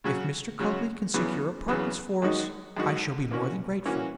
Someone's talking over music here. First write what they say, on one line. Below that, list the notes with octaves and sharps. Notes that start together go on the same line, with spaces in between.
If Mr. Copley can secure apartments for us, I shall be more than grateful.'
C#3 F#3 C#4 F#4
C#3 F#3 C#4 F#4
E2 C#3 F#3 B3
E2 C#3 F#3 B3
F#2 D#3 G#3 D#4 F#4
F#2 D#3 G#3 D#4 F#4
E3 A#3 C#4 F#4
E3 A#3 C#4 F#4